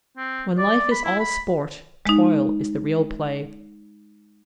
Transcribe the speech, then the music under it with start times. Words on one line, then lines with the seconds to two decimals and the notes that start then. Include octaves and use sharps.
When life is all sport, toil is the real play.
0.17 C4
0.58 D5
0.91 B5
1.04 E4
1.20 B5
2.06 G#3 D#4